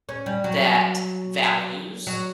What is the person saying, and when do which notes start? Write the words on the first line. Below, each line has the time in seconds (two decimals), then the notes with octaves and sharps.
that values
0.09 C#4
0.26 G3
0.44 F#3
2.07 F#3